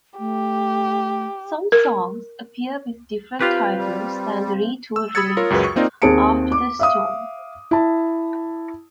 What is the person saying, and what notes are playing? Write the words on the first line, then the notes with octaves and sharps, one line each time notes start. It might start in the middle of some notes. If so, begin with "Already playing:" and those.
Some songs appear with different titles than the re-tooled release, "After the Storm".
A3 G4
A#4
C4 F4 G4 B4 F5
G3
E6
B5 D#6 E6 G#6 A6 C#7
F4 A#4 C#5
C#2 F#2 F#4 G#4 B4
C#6
A#3 C4 D#4 F4 A#4 D5
D#2 C4 G#4 A5 C#7 D7
D6
E5 F5 D#6
E4 A5